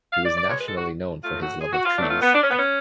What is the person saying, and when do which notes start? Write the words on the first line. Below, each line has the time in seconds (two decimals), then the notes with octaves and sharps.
He was nationally known for his love of trees.
0.13 F5
0.25 D5
0.37 D5
0.50 B2 G#3 C#5
0.60 B4
0.69 A4
0.78 F#4
1.24 A2 F#3 A3 F4
1.42 F#4
1.61 G#4
1.73 F#4
1.85 F4
1.98 B2 F#3 A3 D4
2.11 F4
2.22 B3
2.35 D4
2.43 C#4
2.51 B3
2.59 C#4